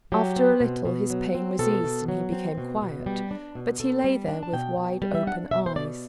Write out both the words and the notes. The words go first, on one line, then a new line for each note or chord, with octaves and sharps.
After a little his pain was eased and he became quiet, but he lay there with wide open eyes.
F#3 G4
C4
B2
B2
F#3
C4
B2 A4
B2
F#3
C4
B2
B2
G3 G4
D4
B2
B2 A4
G3
D4
A5
B2 G5
B2
G3
E5
D4 F#5
B2 E5
C5
B2 D5